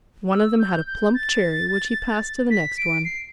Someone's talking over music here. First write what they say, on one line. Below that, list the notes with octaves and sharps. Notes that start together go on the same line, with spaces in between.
One of them had a plump cherry which he passed to the next one.
E6
G6
G6
A6
B6
D7
C7